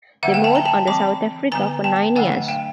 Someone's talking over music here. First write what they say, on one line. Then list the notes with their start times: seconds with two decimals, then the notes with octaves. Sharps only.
They moved on to South Africa for nine years.
0.23 D3 F#3 A#3 E5 F#5
0.34 F5 G5
0.44 G5 A5
0.55 G#5 A#5
0.65 G5 A5
0.87 E3 G3 C4 A5 B5
1.52 D3 G3 B3 G#5 A#5
1.84 G5 A5
2.16 D3 F#3 A3 D4 F#5 G#5
2.48 F5 G5